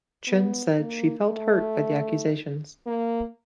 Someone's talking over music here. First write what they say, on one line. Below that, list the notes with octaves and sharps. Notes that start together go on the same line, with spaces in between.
Chen said she felt "hurt" by the accusations.
B3
A#3
A3
A#3